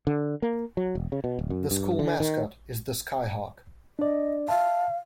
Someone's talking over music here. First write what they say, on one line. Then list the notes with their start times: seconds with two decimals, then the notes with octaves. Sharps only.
The school mascot is the Skyhawk.
0.07 D3
0.42 A#3
0.77 F#3
0.95 E1
1.12 C#3
1.24 B2
1.39 D1
1.50 F#2
1.71 G2
1.99 D3
2.20 D#3
3.99 D4 D5 D#5
4.48 E5 F5 A5